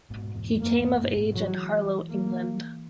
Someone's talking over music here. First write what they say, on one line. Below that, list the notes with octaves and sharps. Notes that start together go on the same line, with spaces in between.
He came of age in Harlow, England.
G#2 B2
E2 G#2
F#2 A#3
E2 G#2
F#2 A#2
G#2 B2
E3 F#3 G#3
A#3